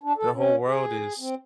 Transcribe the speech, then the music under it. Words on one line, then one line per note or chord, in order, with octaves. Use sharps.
their whole world is
D4
A4
C#4
G#4
C4